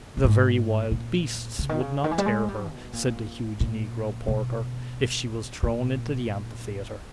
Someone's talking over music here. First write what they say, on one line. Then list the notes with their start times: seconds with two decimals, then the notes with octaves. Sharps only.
'The very wild beasts would not tear her,' said the huge negro porter, 'if she was thrown into the amphitheatre.'
0.17 A#2
0.24 G#2
0.91 A#2
1.59 C#3
1.69 D#3
1.80 C#3
2.04 D#3
2.11 E3
2.18 G3
2.26 G#3
2.48 G3
2.71 B2
2.93 A#2
3.60 A#2
4.28 B2
5.63 A#2